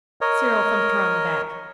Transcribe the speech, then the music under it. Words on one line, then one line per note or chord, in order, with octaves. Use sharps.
Cyril thumped her on the back.
A#4 C#5 D#5